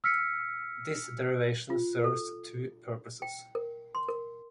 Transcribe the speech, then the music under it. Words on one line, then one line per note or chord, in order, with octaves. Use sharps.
This derivation serves two purposes.
E6 F6 B6 C#7
F4
A4
G5
A#4
C6
A#4